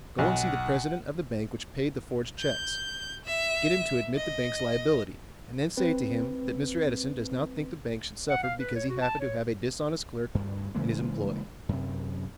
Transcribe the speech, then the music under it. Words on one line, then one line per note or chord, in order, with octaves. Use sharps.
Go and see the president of the bank which paid the forged checks. Get him to admit the bank's liability, and then say to him that Mr. Edison does not think the bank should suffer because he happened to have a dishonest clerk in his employ.
B1 F#5
G6
E5
D#5
C4 B4
F#5
F5
B4
C#5
F#4
A5
C#5
D2 G2
C#3 E3 G#3 A#3
F#2 C3